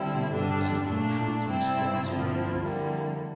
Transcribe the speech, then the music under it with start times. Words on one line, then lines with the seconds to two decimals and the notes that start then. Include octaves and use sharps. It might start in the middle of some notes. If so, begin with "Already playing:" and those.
"And, what, then, of your truth to Miss Florence Burton?"
Already playing: D3 G3 C4 E4
0.31 G2 D3 G3 D4
0.88 A#2 A3 D4
1.48 C3 G3 C4 E4
2.06 G2 D3 F3 C4 E4
2.63 F2 D3 G3 A#3 E4